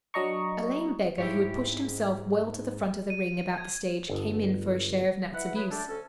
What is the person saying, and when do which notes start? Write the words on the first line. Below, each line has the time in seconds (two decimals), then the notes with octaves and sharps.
A lame beggar who had pushed himself well to the front of the ring about the stage came in for a share of Nat's abuse.
0.14 F#3 D4 D#5 A#5 C#6
1.18 G#2 E4 G4 C#5
3.10 D#7
3.58 G#6
4.06 G1 A4 F#5 G5
5.33 E4 B4 F#5
5.55 E3 F#3 G#4 B4
5.70 G3 A3 D4 G4 A4 D5
5.88 D2 C#4 A4